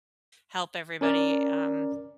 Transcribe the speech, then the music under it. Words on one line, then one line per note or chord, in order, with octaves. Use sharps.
help everybody, um,
C#4 A#4 D5